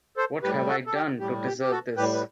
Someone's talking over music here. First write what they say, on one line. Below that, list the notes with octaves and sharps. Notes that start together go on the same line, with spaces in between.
What Have I Done to Deserve This?
A4 C5
A2 G3 G4 B4
F#4 A4
A4
G4
A2 G3 G4
G4
G4
F#4 A4
A2 G3 G4 B4
B4